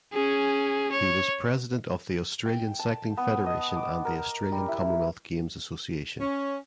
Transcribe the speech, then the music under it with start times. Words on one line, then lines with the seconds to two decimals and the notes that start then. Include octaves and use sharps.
He was President of the Australian Cycling Federation and the Australian Commonwealth Games Association.
0.13 C#4 G#4
0.92 C#5
2.46 G5
2.79 A5
3.17 B3
3.46 D#5
3.77 D6
4.05 A#4
4.52 G3
4.68 E4
6.20 C#4